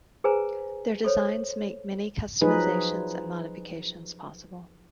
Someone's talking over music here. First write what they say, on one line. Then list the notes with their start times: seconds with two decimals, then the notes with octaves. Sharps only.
Their designs make many customizations and modifications possible.
0.24 G#4 B4 C5 G#5 A#5
1.04 A4 C5 C#5
2.41 F3 F#3 D#4 G#4 B4